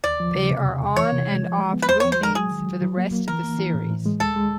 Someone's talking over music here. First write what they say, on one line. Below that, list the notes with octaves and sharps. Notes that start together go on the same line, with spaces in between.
They are on-and-off roommates for the rest of the series.
D#2 D5
F3
C#3
C3
E2
E2
E3 C#5
C3
G#3
F3
G#3
B3
B4
E2 C5
C#5
F3
C5
G#3 A#4
F#3 G#4
D#3
F#3
F#3
A#3
A#3
E3 A#4
A#3
E3
A2
A2
G#3
D2 A4
G#3